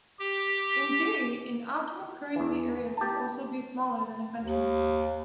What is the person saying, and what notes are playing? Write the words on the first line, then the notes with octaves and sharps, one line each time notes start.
In theory, an optimal currency area could also be smaller than a country.
G4
E2 E3
G4 A5
D#2